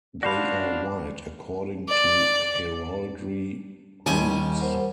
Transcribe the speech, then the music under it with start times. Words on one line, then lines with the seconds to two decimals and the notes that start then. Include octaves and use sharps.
They are white according to heraldry rules.
0.23 D4 F#4 C5 D5 F5 B5
1.89 D5
4.06 D#2 D#3 G3 G#5 C#6
4.61 A#4 C5 F#5